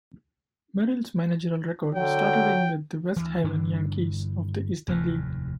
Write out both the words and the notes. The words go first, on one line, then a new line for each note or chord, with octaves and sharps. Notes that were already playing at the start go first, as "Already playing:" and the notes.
Merrill's managerial record started in with the West Haven Yankees of the Eastern League.
D3 F#3 G5
D2 E3
G2 D3 E3 D4
F1 D#2 A2